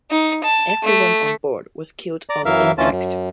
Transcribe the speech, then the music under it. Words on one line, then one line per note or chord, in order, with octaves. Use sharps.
Everyone on board was killed on impact.
D#4
A5
A3
D5 A#5
F#2 E3 A#4 E5 F5
D2 E3 C#4 F4 A5
F#2